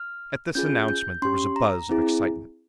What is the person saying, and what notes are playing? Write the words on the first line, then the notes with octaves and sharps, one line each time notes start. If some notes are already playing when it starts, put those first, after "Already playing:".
At this announcement there was a buzz of excitement.
Already playing: F6
C#4 F4 G#4 G6
G6
C#4 G4 C6
A#5
C4 E4 G#4